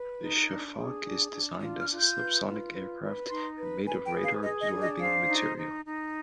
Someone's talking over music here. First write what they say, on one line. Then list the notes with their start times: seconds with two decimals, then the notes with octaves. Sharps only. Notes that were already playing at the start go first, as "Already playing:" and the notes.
The Shafaq is designed as a sub-sonic aircraft, and made of radar-absorbing material.
Already playing: B4
0.20 D#4
0.47 D4
0.76 G#4
1.04 D4
1.33 D4
1.61 F4 D#6
1.80 F6
1.90 F4
1.98 G6
2.17 B4
2.46 F4
2.74 B4
3.02 B4
3.30 D#4 C6
3.59 B4
3.86 B4 G#5
4.06 G5
4.15 G#4
4.24 F5
4.43 G#4 D#5
4.62 D#5
4.71 D4
4.81 D#5
5.00 C5 F5
5.28 D#4
5.57 D#4
5.85 D#4